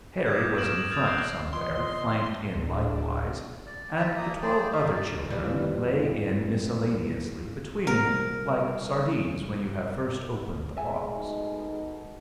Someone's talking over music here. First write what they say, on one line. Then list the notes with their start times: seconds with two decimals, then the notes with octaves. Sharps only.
Harry was in front somewhere flanked in likewise, and the twelve other children lay in miscellaneously between, like sardines when you have first opened the box.
0.26 D6 D#6 G6 G#6
0.58 C#6 F6 A#6 D7 E7 F#7
0.90 D#6 F6 G6 A6 F7
1.07 F#6 G#6 A#6 C7 D7
1.53 D#3 E3 F4 D#5 C6
2.55 D1 D4 G#4
3.66 D5
3.97 D5 E5 A5 A#5
4.17 A#3 A4 A#5 D#6
4.42 G#4 C5 D5 G5
4.73 A#4 E5 F5
4.90 D#4 D5
5.30 F2 E3 G3
7.87 C2 F2 A#4
10.77 G#3 E5 G#5
11.14 B2 A3 D#4